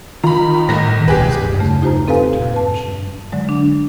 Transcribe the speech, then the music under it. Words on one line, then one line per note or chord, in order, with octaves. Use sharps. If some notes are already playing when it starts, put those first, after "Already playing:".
The best-known example is the Turing machine.
D#3 F4 A#5 B5
G1 A2 A#6
C#2 G4 G#4 B4
E2 C#3 A3
D#4 F4 G4 C5 A#5
C4 A4 B4 F5 G#5
B4 A5
D3 F#3 G#3
D4